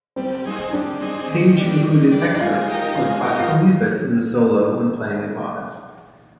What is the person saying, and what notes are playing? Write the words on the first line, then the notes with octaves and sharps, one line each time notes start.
Page included excerpts of classical music in the solo when playing it live.
G3 C4
C4 D#4 G#4
G3 D4
C4 D#4 G#4
D#3
G3 D4
D#3
G3 D4
D#4
G#3 F4
D#4 G4 A#4
G#3 F4
D#4 G4 A#4
F4